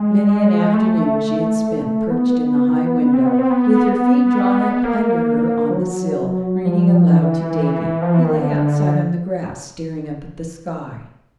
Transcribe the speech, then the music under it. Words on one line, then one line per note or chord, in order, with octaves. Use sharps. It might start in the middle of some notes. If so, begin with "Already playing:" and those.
Many an afternoon she had spent, perched in the high window, with her feet drawn up under her on the sill, reading aloud to Davy, who lay outside on the grass, staring up at the sky.
Already playing: G#3
A3
B3
B3
C4
B3
C4
B3
B3
A#3
F3
F#3
F3
F3
E3
F3
E3
D#3
D3